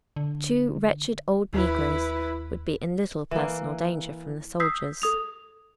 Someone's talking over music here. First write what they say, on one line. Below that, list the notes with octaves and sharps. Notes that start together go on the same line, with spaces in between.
Two wretched old negroes would be in little personal danger from the soldiers.
D3
D#2 E4 B4
E3 A#3
D#6 E6 G6 B6 C7
A4 D#6 F7